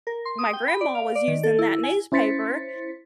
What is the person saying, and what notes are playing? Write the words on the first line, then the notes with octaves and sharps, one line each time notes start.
my grandma was using that newspaper
A#4
C6
D#6
G5
B5
D5
F5
D5
D#3
A4
E4
G#5
C#4 E4 C5 A6 B6 C#7